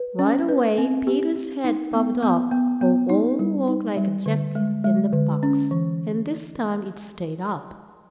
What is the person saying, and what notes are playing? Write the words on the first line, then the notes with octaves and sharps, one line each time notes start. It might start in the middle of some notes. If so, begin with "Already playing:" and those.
Right away Peter's head bobbed up for all the world like a jack-in-the-box, and this time it stayed up.
Already playing: B4
C#4
B4
C4
G4
G4
D#4
B3
B3
B3
B3
D#4
G3
D#4
G3
D3
G#3
G#3
D3
C#4
E3